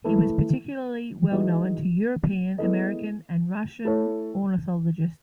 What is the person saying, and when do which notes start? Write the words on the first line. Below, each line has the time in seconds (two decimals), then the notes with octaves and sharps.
He was particularly well-known to European, American and Russian ornithologists.
0.04 E3 A3 E4 A4
1.31 E3 G#3 D#4 F#4
2.58 G#3 B3 E4 A4 D#5
3.85 A3 E4 A4 C#5